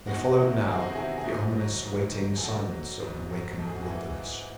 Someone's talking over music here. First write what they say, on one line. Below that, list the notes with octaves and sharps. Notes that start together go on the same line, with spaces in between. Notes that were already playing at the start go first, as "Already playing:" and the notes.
There followed now the ominous, waiting silence of an awakened wilderness.
E2 D#4 F#4
C3 D#3 C#4 E4
E2 C4 D#4
G#4
D#4 F#4
C3 D#3 E4 G#4
F#4
G#4
G#2 D#4 F#4
D#3 F#3
G#2
D#3 F#3
G#4
G#2 F#4 A4
F#3
G#2
F#3
G#2 A4
G#4
F#4
E4 G#4
E3
G#2